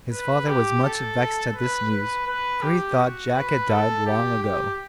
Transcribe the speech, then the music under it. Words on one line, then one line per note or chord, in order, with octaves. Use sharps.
His father was much vexed at this news, for he thought Jack had died long ago.
B4
G4
A4
B4
B4
B4
G4
F#4
B4
A4
G4
G4